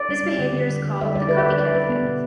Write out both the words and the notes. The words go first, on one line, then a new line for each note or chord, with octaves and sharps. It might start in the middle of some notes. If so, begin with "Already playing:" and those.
This behavior is called the "copycat effect".
Already playing: D5
G3
G3
D3
D3
G3
D3
G3 E5
G3 D5
D3 B4
E5
G3 D5
D3 D5
G3 B4
G3 B3
B2